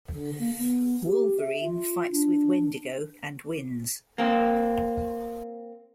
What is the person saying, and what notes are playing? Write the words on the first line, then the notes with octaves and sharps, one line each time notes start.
Wolverine fights with Wendigo and wins.
D3
A#3
B3
G4
E5
F4
D4
A#3 C4